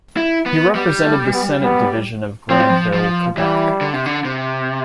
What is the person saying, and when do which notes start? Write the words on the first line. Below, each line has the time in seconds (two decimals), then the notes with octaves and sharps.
He represented the Senate division of Grandville, Quebec.
0.17 E4
0.46 B3
0.75 G3 B3
1.05 A3
1.34 B3
1.63 B3
2.50 F3 C4
2.60 G3
2.69 F3
2.93 F3
3.37 E3 G3
3.81 D3
3.93 C3
4.06 D3
4.25 C3